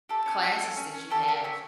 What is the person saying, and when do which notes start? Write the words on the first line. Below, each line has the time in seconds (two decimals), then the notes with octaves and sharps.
classes that you have."
0.09 G4 A4
0.26 C#4
0.44 G4
0.61 C#4
0.77 C#4
0.94 C#4
1.10 G4 A4
1.23 A4
1.28 G4 A#4
1.44 C#4 E5